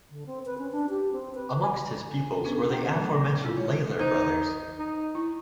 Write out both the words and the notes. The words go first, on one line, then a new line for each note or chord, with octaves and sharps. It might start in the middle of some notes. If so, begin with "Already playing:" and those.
Amongst his pupils were the aforementioned Lalor brothers.
D3
C4
B4
C#4
D4
G4
C4
B4
G#5
B3 C#4 D4 G#4 A4 B4
F#5 G5 A#5
A#2 F#3 A3
A#6
G#3 E4 F4
C#5
D#4 C5
D#4
E4